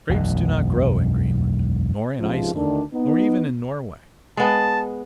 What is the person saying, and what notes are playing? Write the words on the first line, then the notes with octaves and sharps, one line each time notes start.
Grapes do not grow in Greenland nor in Iceland nor even in Norway.
E1 B1 F#2 B2
C#2 G#2 C3 F3
D2 D#3 D4
B3 D#4
G#3 B3 A5